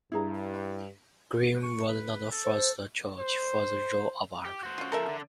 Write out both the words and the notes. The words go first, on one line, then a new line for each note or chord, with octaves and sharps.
Greene was not the first choice for the role of Audrey.
G2 E4 G#4 A#5
C#6
B4
A4
C5
C5
G4
F#4 C5
C#4 F4
C#3 F3 A4 A#4 E5
D3